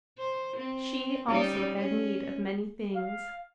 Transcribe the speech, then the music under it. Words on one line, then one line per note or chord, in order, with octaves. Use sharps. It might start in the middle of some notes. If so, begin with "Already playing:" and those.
She, also, had need of many things.
C5
C4
G3 C#4 D#4
C#4
F5